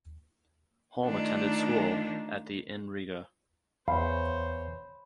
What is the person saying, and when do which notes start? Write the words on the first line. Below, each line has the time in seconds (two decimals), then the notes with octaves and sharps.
Holm attended school at the in Riga.
1.05 D#3 A3 D4 D#4 F4
3.88 E2 C5 C#5 F5 B5